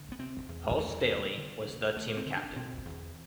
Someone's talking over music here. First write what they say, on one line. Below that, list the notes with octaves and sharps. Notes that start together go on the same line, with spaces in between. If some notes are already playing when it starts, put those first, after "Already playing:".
Paul Staley was the team captain.
Already playing: D3
B3
C3 C4
E2
E2 A3
E3
F#3
C3 A3
G3
D3
D2
D2 A3
C4
D3
D4
B2 C4
E2